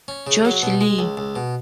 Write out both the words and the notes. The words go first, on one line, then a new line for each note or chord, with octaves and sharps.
George Lee.
C#4
C#3
F#3
B2
G#3
C#2
C#2
B2